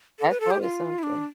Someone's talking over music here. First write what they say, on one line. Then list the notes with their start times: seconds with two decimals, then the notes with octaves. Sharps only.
that's always something.
0.19 A4
0.30 B4
0.40 A4
0.51 G4
0.61 F4
0.99 E4
1.03 D4